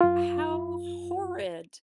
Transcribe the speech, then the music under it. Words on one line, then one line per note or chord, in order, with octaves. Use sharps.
How horrid.
F#2 F4